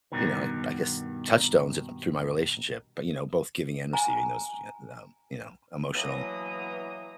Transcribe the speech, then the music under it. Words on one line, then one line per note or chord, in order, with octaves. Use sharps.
you know, I guess, touchstones i through my relationship. But, you know, both giving and receiving those, you know, th um, you know, emotional
G2 B2 D#3
G#5 A#5
B2 E3 F#3 A#3 A#5 D#6